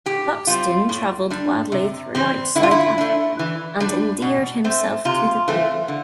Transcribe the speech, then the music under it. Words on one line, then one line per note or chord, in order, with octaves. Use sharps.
Buxton travelled widely throughout South Africa, and endeared himself to the people.
A2 G4
G3 C4 F4
A2
G3 D4
C3
E3 G3 C4
D3 E4
F4
E4
A3 D4
E3
G3 D4
B2
A3 C4
C3 F4
E3 A3 C4
D3